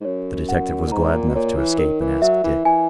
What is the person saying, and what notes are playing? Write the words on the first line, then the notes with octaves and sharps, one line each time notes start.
The detective was glad enough to escape and ask Dick.
G#2
F#2 C#5
F#5
A#2
G#2 A#5
A#2
B2
A#2 C#5
E3
D#3 A#4
E3
F#3 E5
E3
E3 G#5